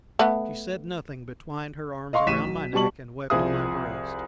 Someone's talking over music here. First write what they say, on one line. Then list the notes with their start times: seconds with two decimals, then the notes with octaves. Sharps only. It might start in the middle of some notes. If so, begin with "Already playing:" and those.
She said nothing, but twined her arms around my neck and wept on my breast.
0.19 A3 B3
2.13 D#5 F5 C6 C#6
2.27 A1 C#6 B6 D#7 E7
2.45 B1
2.73 B2 G3 A5 C#6 F#7
3.30 C2 F3 G#4 E5 D#6